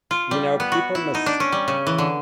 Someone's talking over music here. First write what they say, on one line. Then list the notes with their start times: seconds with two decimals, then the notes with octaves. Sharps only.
You know, people mis
0.11 F4
0.31 G3
0.60 B3
0.72 F#4
0.95 E4
1.15 D#4
1.26 D4
1.40 C#4
1.52 G3
1.68 C#3
1.87 E3
1.98 D3